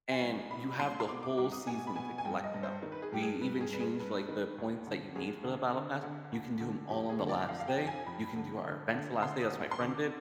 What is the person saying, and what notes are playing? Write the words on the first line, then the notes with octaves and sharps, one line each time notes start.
and you have the whole season to collect them. We even changed, like, the points that you need for the battle pass, you can do 'em all on the last day. You can do our events the last day," as my friend did,
G#5
C2
G#5
B2 B5
C2 C6
C6
B2 D6
D6
C2 D6
D#6
B2 G#5
B5
B2 G#5
G#5
G2 G5
D#5
G2
C5
D#3
B4
G#4
G2 G4
G#4
G2 B4
G#4
G2 B4
G#4
G2 B4
D#3
D#2
D3
D#2 G#4
D3
D3
D3
D#2
D3
F2 G4
G#4
D3
D5
F2 F5
F5
G5
F2
G#5
F2 B5
D3
D3
D3
D3 C6
D#6
D#2
C6
D3 D6